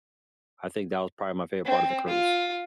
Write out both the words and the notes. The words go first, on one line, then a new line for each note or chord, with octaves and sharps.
I think that was probably my favorite part of the cruise.
C4
F4